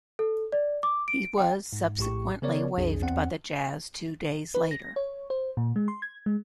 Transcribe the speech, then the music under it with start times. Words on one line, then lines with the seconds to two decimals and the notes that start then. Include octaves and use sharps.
He was subsequently waived by the Jazz two days later.
0.19 A4
0.52 D5
0.83 D6
1.08 D7
1.38 G5
1.73 G#2
1.99 A#1 A2 G4 C#6
2.42 C#3 B3 A#4 C#5 D5
2.78 B1 F2 D4 G#4
3.02 E2 C4 F#5
4.55 B4
4.71 A#6
4.96 C#5
5.30 C5
5.57 A#2
5.76 G#3
5.88 C6
6.02 G#6
6.26 G#3